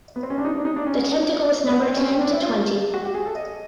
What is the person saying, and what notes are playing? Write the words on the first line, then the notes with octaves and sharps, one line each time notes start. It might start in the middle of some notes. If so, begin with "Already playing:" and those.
The tentacles number ten to twenty.
B3
C4
C#4
D4
D#4
D4
D#4
D4
C#4
B3
C4
C#4
C#4
D4
E4
F4
F#4
G4
G#4
A4
D#5